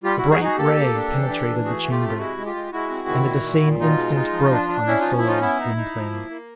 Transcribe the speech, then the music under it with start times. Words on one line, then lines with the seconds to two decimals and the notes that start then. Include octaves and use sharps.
A bright ray penetrated the chamber, and at the same instant broke on the soul of Gwynplaine.
0.04 G3 F4 G4
0.17 E4 F#4
0.22 G3
0.31 F#4 G#4
0.41 D#4 F#4 G#4
0.57 A#3 G4 A4
0.76 A#3
0.94 D4
1.11 E3
1.29 D4
1.48 E3
1.65 A3 F#4 G#4
1.83 A3
1.91 F4 G4
2.01 C3
2.08 F4
2.18 G#3 E4 F#4
2.37 G#3
2.46 F4 G4
2.55 G#3
2.72 G#3 E4 F#4
2.90 C4
3.08 D#3
3.26 A#2
3.43 A#2
3.62 A#2
3.79 B2 D#4 F4
3.97 G#3
4.16 D#4
4.33 F3
4.51 D4
4.69 D4
4.87 C#4 E4
5.01 F3 D#4 F4
5.18 E4
5.23 C#4 D#4 F4
5.41 B3 E4
5.59 D#4
5.77 D#4
5.95 F3
6.13 A#3
6.30 A#3